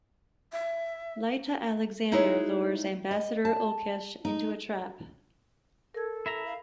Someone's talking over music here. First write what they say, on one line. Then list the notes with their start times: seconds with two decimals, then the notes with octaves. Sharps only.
Lyta Alexander lures Ambassador Ulkesh into a trap.
0.53 E5
2.12 G#3 D#4 E4 G#4 B4 C#5
3.11 D#5
3.45 A5
4.25 D#4
5.94 A4 A#4 G#6
6.26 E4 E5 A#5
6.46 F5